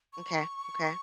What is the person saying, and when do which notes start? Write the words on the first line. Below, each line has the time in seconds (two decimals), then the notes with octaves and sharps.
Okay. Okay.
0.13 C#6